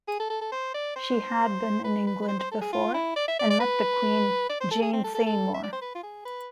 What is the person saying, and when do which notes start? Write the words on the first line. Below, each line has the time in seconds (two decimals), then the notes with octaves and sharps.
She had been in England before and met the Queen, Jane Seymour.
0.08 G#4
0.20 A4
0.30 A4
0.41 A4
0.52 C5
0.74 D5
0.96 C5
1.84 B4
2.07 B4
2.22 B4
2.28 C5
2.39 C5
2.51 A4
2.61 G#4
2.73 F4
2.94 E4
3.16 D5
3.28 E5
3.39 D5
3.50 D5
3.60 B4
4.49 D5
4.60 C5
4.71 A4
4.82 G#4
4.93 C4
5.04 A4
5.14 A4
5.26 A4
5.54 E5
5.63 D5
5.72 C5
5.81 B4
5.95 F4
6.03 G#4
6.25 B4